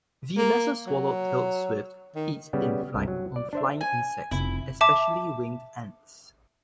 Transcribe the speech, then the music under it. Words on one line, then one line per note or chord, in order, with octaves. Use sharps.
The lesser swallow-tailed swift feeds in flight on flying insects, especially winged ants.
A#3
F#3
D#3
C#3 G3 B3
C2 G2
F#3
D5
D4 C5 E5
G#5
F1 E4
E5 A5 D6